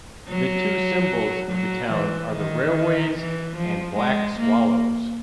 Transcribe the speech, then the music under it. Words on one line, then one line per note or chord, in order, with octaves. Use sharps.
The two symbols of the town are the railways, and black swallows.
F#3
F#3
E3
D#3
E3
F3
G#3
A#3